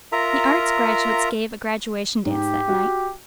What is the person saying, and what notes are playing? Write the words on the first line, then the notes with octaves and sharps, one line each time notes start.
The Arts graduates gave a graduation dance that night.
F4 A#4 E5 A#5
G#2 G4
F#4